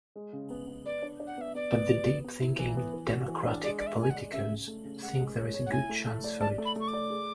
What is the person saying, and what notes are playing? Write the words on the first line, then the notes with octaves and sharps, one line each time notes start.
But the deep-thinking Democratic politicos think there is a good chance for it.
G#3
C#3
B3
B3
B4 D5
D4
D4
F#5
B3 E5
B3 D5
B3
B3
B3
B3
E4
E3
B3
E3
F#4
E3
D4
G#3 D5
G#3 D5
E5
G#4 G#5
F#5
D5
C#3 E5
C#3
A3
C#3
G#3 F#5
G#3
C#5
C#5
F#5
E4 G#5
A3
A3
D5
D5 A5
A3
B5
A3 C#6
D6
D5
G#4